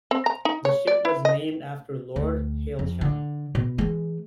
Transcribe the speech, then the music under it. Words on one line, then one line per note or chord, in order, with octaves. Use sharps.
The ship was named after Lord Hailsham.
C4
A#5
D#4
C#5
D5
E4
D#5
D2
F2
D3
B2
E3 G#3